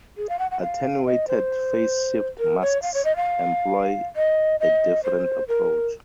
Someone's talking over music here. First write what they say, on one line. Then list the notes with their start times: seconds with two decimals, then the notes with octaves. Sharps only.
"Attenuated phase-shift masks" employ a different approach.
0.17 G#4
0.29 F5
0.39 F#5
0.51 F#5
0.62 F5
1.06 D#5
1.28 C5
2.39 A#4
2.61 C#5
2.83 F5
2.94 C#5
3.05 D#5
3.16 F5
4.16 D#5
4.60 D#5
5.04 C5
5.48 A#4